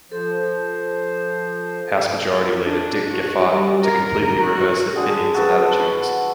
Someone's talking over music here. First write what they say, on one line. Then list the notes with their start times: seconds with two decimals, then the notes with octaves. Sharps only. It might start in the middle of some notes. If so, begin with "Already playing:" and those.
House Majority Leader Dick Gephardt to completely reverse opinions and attitudes.
0.11 F3 A4 C5
2.65 D4
3.11 F#4
3.49 G3
3.83 A#4
4.39 F#4
4.96 D3 G#4
5.34 F#4 A4 B4